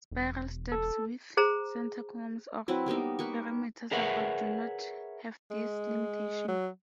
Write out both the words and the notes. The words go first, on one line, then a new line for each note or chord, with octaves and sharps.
Spiral steps with center columns or perimeter support do not have this limitation.
E1
A4
G#4 C5 A#5
F#3 C4 E4 B4
G3 A#3 B3 D#4
A#3 B4 C#6
G#4 A#4 B4 C#5 E5 F#5
G#3
F#3